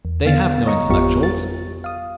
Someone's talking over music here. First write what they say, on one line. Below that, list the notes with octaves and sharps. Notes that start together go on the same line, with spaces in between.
They have no intellectuals....
E2
D3 B3 F5 A6
C#5 D#5 A#5 C#6
G#1 F2 B3 F4 G4 C#6
A6
F5 D#6